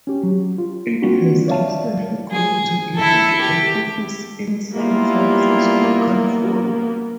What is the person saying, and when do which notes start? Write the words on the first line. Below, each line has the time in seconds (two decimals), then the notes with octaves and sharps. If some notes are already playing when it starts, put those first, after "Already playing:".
It has recently grown to include an office in San Francisco, California.
0.07 C#4 G4
0.23 F#3
0.58 F4
1.02 G3 A#3 C4 D4 F4 F#4
1.48 C#5 D5 E5 F5 A5
2.31 G#4
2.95 E4 A4
3.41 G4
4.73 G3 A#3 B3 E4 F4